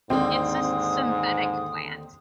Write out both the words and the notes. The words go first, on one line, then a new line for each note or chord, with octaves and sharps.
It’s a synthetic plant.
D#2 G#2 D3 C4 D#6